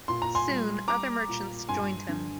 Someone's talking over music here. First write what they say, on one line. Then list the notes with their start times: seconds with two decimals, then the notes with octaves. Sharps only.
Soon other merchants joined him.
0.08 A#2 C6
0.22 A#5
0.35 G#5 C6
0.48 G3
0.88 G3 A#5 D6
1.28 A#2
1.69 G2 G#5 C6
2.09 D3